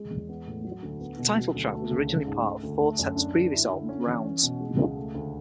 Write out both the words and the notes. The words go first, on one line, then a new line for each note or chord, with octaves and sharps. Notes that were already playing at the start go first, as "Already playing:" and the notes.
The title track was originally part of Four Tet's previous album, "Rounds".
Already playing: G#3
E2
B3
A2
F#3
D2
B3
B2
F#3
D2
A3
C#2
C#4
G#2
A3
D2
A3
F#2
D4
D3
E4
D3
C#4
E3
C#4
B2
G#3
C#2
A3
D2